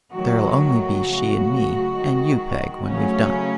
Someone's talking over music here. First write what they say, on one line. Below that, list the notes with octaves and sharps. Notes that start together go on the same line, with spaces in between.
There'll only be she and me--and you, Peg, when we've done.'
D#3 F#3 A3 F#4
C#3 F#3 A3
D#3 G#3
C#3 F#3 A3 C#4